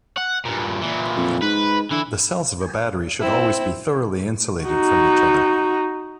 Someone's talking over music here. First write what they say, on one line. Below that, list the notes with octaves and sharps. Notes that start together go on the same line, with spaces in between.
The cells of a battery should always be thoroughly insulated from each other.
F#5
G2 A#2
A#2 E3
F2
G#2 B4
D3 E3 E4
C4 E4
D#4 F#4